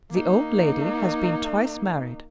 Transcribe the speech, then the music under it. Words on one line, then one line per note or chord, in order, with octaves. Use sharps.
The old lady has been twice married.
A#3 D#4